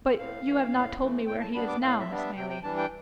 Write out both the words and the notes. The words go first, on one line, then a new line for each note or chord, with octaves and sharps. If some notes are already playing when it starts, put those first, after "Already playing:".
But you have not told me where he is now, Miss Maylie.
A2 F5
E3 A3
A2
E3 A3
A2 G5
A5
G3 B3 D4 B5
D6
A2 F5
E5
G3 B3 D4
E5
C3 G5
G5
E3 G3 D4 A5
G5